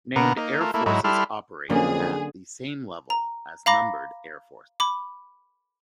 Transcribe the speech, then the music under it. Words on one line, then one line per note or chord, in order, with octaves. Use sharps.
Named Air Forces operate at the same level as Numbered Air Forces.
B2 A#3 B3 A#5
A#3 D#4
A3 F4 A#4
A3 A#3 E4
G#2 F#3 D#4 E4
G3 E4 A4 C6 F6
F2 D3 F#3 A#3 C#4 G#4
A#5
F5 A#5 B5 D6 A#6
B5 D6